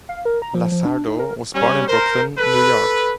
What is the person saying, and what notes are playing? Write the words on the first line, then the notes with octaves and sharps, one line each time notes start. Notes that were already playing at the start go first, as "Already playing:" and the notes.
LaSardo was born in Brooklyn, New York.
F5
A#4
A#5
F3
F3
D4
D#4
A#4
G3 C#4
A#4 C5
A4 B4